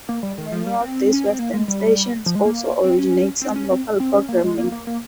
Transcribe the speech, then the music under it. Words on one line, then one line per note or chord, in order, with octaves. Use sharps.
Many of these western stations also originate some local programming.
A#3
G3
D#3
F3
G3
C4
C#4
C4
A#3
G#3
G3
F3
G#3
A#3
C4
C#4
C4
C#4
C4
C4
C#4
A#3
G#3
A#3
A#3
A#3